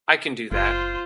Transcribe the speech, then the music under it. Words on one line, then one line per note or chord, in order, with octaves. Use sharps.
I can do that.
F#1 F4 C5